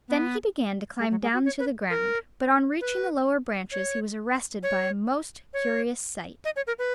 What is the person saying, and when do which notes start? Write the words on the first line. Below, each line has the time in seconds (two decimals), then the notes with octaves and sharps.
Then he began to climb down to the ground, but on reaching the lower branches he was arrested by a most curious sight.
0.08 B3
0.99 G#3
1.11 F#3
1.22 G#3
1.33 F#4
1.45 C#5
1.59 B4
1.90 A#4
2.81 B4
3.72 C#5
4.63 C#5
5.54 C#5
6.45 D#5
6.56 C#5
6.67 A#4
6.79 B4